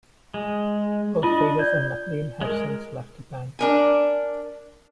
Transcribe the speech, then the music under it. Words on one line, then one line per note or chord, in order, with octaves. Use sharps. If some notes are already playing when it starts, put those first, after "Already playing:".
Both Vegas and MacLean have since left the band.
G#3
D4 F4 D#5
D5 G6
G#3 A#4
D4 A#4 G#5